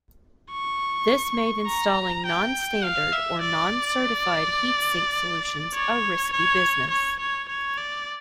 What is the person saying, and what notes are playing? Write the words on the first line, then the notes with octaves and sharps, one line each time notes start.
This made installing non-standard or non-certified heatsink solutions a risky business.
C#6
A#5
G5
F5
E5
D5
C#5
C#5
C#5
C#5
C#5
D5